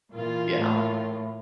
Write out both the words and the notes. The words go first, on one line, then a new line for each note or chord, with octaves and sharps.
you know?
A#2 E3 A#3 F4
A2